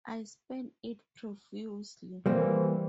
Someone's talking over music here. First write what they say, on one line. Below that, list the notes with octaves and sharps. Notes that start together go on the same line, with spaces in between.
I spent it profusely.
E3 G3 A#3 C4